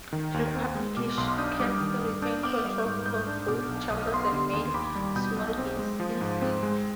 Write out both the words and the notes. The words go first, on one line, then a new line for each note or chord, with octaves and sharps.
Republicans retained control of both chambers and made small gains in seats.
D#3
D#2
C4
G#3
B2 D6 F6
B1 C6 D#6
D6 F6
D4 D#6 G6
G3 D6 F6
D#3
G2
D4 D#6 G6
B3 D6 F6
G3
G6
G#2
F6
G#2 D#6 G6
D4
B2 D6 F6
B1
B1 D#6
F6
B3 C6 D#6
D3
D#2
D#2 B5 D6
G3
B2 D#6 G6
B1
C4
G#3
F3
G#2
C4
G#3